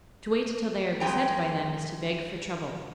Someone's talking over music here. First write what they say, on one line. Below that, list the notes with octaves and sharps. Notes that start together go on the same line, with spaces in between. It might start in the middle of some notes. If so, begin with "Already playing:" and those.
To wait until they are beset by them is to beg for trouble.
F2 G#3 G5 A#5